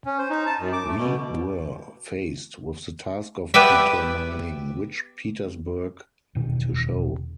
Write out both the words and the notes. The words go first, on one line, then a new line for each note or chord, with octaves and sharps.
We were faced with the task of determining which Petersburg to show.
C#4
C5
D#4
A5
F#2
D6
A3
B2
B3 G4 B4 D5 E5
E1 B2 D#3